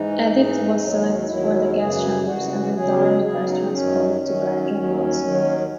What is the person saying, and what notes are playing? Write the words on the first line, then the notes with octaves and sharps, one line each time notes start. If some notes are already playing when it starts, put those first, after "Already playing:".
Edith was selected for the gas chambers, and her daughters were transported to Bergen-Belsen.
Already playing: G#2 E3 D#4
G#2 E3
D#2 D#3 F#3
D#2 D#3 F#3 E4
F#2 C#3 E3 G#4
F#2 C#3 E3 F#4
E2 C#3 F#3 G#4
G#4
E2 C#3 F#3 G#4
D#4
F#2 D#3 F#3 C#4
F#2 D#3 F#3 C#4
D#2 D#3 F#3
D#2 D#3 F#3